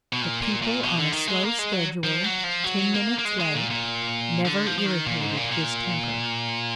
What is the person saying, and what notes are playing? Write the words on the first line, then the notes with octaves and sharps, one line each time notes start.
The people on a slow schedule, ten minutes late, never irritated his temper.
B2
A#2
A#2
A#2
B2
D3
D#3
G#3
A#3
G#3
F#3
F3
F#3
F3
F#3
A#3
A#3
G#3
G#3
A#2
A#2
D3
F3
F3
D#3
A#2
G#2
A#2
A#2